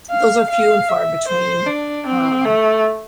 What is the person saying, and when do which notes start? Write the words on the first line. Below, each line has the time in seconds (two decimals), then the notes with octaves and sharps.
those are few and far between, um
0.10 F5
0.50 F5
0.89 E5
1.28 C5
1.67 D4
2.07 C4
2.45 A3